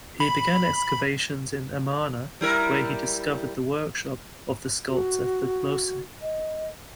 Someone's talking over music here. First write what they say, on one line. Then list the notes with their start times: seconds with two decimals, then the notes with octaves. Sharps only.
He began excavations in Amarna, where he discovered the workshop of the sculptor Thutmose.
0.20 B5
2.41 G3 E4 A#4
4.89 F#4
6.22 D#5